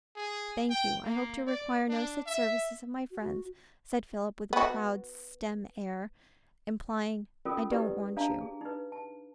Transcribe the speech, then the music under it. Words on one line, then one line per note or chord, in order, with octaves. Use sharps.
'Thank you; I hope to require no such services of my friends,' said Philip, with a proud stem air, implying, 'I don't want you.'
G#4
G5
A#3
D5
D4
E5
F#4
B3 F#4
C#4 F4 A4 A#4 D#6
E4 G4 B4 D5
D4 F5 A5 A#5
G#4
D#4 B4
A5